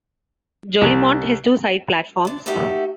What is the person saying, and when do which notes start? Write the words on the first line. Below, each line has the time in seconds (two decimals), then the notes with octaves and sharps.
Jolimont has two side platforms.
0.81 C2
2.25 D2 D4
2.46 A3 A#3 D#4 F#4 G4 E5